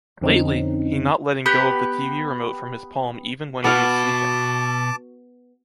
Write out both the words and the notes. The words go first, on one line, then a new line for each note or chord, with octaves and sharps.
Lately, he not letting go of the tv remote from his palm even when he is sleeping.
F2 D3 C4 C#4 D#4
B3 G4 B4
B2 B3 F#4 F5 A5 D6